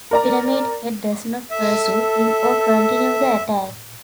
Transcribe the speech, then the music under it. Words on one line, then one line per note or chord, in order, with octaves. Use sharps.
Pyramid Head does not pursue him or continue the attack.
A#4 D5 A#5
A4 E5